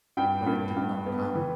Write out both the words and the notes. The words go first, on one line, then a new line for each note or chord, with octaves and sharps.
But it did not come.
G2 G5
G2
G2
B3
E3